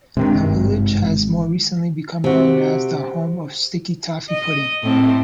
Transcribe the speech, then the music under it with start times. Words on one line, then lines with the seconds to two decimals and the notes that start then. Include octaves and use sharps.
The village has more recently become known as the "home of sticky toffee pudding".
0.17 C3 D#3 G#3 D4
0.35 G#1 G2 C3
2.24 C3 F#4
4.30 D#5
4.83 A2 C4